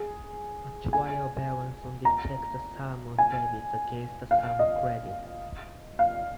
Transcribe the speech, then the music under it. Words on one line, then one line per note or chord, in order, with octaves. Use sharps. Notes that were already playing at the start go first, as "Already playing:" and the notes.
A trial balance only checks the sum of debits against the sum of credits.
Already playing: G#4
G#5
A#5
G#5
F5
D#5
F5